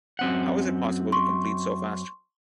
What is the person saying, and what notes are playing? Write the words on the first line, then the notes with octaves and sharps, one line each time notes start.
How is it possible to complete so fast?
F#2 C4 F#5
C6 C#6